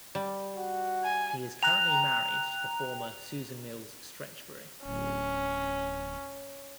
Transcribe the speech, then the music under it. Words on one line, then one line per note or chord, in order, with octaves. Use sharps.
He is currently married to the former Susan Mills Stretchberry.
G3
F#4
G#5
G5 A#5 F#6 F7
D1 C#4